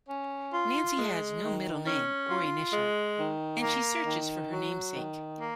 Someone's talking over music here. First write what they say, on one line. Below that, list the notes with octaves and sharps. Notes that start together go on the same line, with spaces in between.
Nancy has no middle name or initial and she searches for her namesake.
C#4
F4
G#3
D#3
C#4
F4
G#3
D#3
A#3
D#3
F#3
D#3
A#3